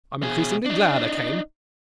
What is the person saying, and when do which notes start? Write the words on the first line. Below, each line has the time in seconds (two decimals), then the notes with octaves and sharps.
I’m increasingly glad I came.
0.23 B2 G#4
0.66 D4 D#4